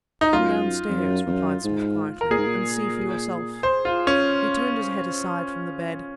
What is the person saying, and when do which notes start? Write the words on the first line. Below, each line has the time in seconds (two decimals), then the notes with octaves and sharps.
"Come downstairs," replied Smith quietly, "and see for yourself." He turned his head aside from the bed.
0.21 D#4
0.32 F#2 F4
0.89 F2
0.98 F#2
1.27 F2
1.32 F#2
1.64 G#2
2.21 A#4
2.30 A#2 G#4
2.38 G#2
2.46 A#2
3.63 C5
3.85 F4
4.07 C#4